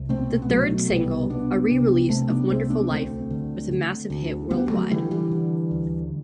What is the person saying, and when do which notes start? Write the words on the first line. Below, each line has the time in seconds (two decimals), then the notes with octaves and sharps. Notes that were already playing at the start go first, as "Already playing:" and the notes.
The third single, a re-release of "Wonderful Life", was a massive hit worldwide.
Already playing: C2
0.09 B2 A3 C4
0.42 B3
0.50 B2 F#3 A3
0.90 C2 G3 B3
1.30 C2 B3 D4
1.71 C3
2.09 C3 A3 C4
2.30 B3 D4
2.50 C2 A3 C4
2.70 B3 D4
2.90 D2 A3 C4
3.30 D3
3.71 D3
4.10 D2
4.50 D2 G3 B3
4.70 F#3 A3
4.91 D3 E3 G3
5.11 E3 G3
5.31 D3
5.71 D2